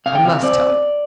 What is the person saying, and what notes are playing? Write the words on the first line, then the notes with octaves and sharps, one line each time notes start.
I must tell you.
C3 F5
G5
C3 F5
C4 D5